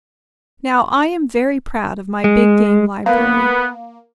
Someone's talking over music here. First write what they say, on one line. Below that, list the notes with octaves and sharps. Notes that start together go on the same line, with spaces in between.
Now, I am very proud of my big-game library.
G#3
A#3 B3